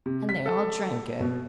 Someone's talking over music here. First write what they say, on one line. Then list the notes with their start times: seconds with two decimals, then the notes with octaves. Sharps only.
And they all drank it.
0.06 C3
0.29 B6
0.46 A4
1.20 B2